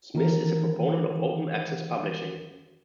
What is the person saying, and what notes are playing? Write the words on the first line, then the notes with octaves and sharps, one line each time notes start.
Smith is a proponent of open access publishing.
D#3 E3 A#4